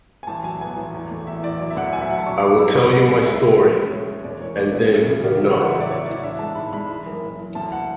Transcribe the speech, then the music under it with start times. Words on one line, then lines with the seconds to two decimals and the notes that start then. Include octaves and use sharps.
I will tell you my story, and then you will know.
0.23 G#5
0.27 A1 A5
0.44 F#3 G#5
0.60 B3 G#5
0.77 A1
0.94 E2
1.11 A3
1.27 E2 E5
1.43 E2 D5
1.59 F#3 D5
1.71 E5
1.76 D2 F#5
1.93 F#3 G#5
2.01 E5
2.10 F#3 F#5
2.18 A5
2.26 D4 C#6
2.42 D4 D6
2.59 F#2 E6
2.75 F#2 C#6
2.92 C#2 F#5
3.08 B2 G#5
3.25 C#2 E5
3.42 A3
3.59 G#3
3.76 C#4
3.91 G#3 C#5
4.07 G#3
4.24 E1 D5
4.41 E2 C#5
4.57 A3 D5
4.74 B2
4.91 D2
5.08 C#3
5.24 C#3 D5
5.40 F#3
5.57 A1 F#5
5.70 A1 E5
5.81 D5
5.90 A1 C#5
6.06 E3 D5
6.23 D4 E5
6.39 G#3 A5
6.55 G#2 B5
6.73 G#3 B5
6.90 E3
7.06 F#1
7.22 F#1
7.39 E3
7.55 D2 A5
7.72 F#5